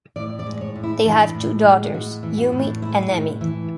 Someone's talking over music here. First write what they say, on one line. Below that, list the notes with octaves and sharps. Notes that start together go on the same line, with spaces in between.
They have two daughters, Yumi and Emi.
A2 D5
D5
G#3
C#5
A2
E4
E3 D4
A2
G#3
A2 F#4
E3
F#4
A2
D4
G#3 E4
A2
E3